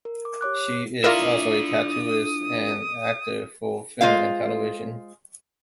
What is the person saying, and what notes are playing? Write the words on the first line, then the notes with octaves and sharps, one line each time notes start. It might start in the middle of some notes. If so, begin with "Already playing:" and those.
She is also a tattooist and actor for film and television.
A#4
D6
G4 C#5 D6 F#6
D4 E4 F4 A#4 D5 E5 F5 D#6
G#3 F4 C5 F5